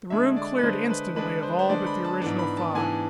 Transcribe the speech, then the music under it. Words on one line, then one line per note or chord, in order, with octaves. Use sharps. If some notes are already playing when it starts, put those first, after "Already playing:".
The room cleared instantly of all but the original five.
D3 G#3 D4 E5
D5
B4
D3 G#3 D4 C5
B4
D3 G#3 D4 B4
C5
C5
D3 G#3 D4 D5
B5
A5
G#2 E3 B3 D4 A5
B5
A5
G#2 E3 B3 D4 G#5